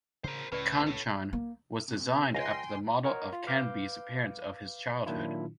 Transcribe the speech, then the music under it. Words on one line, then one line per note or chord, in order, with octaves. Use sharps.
"Kanchan" was designed after the model of Kanbe's appearance of his childhood.
C#3 A#4 C5
C#2 A2 C#3 C#4 B4 D5
A4 C#5
A#3
C3 A#3
C#2 F5 G5 G#5 A#5 C6
A#4 C#5 D#5 F#5 A#5 C#6
F4
B4 F5 D6 G6
A#2 D#3 F#3 D4 E4 F4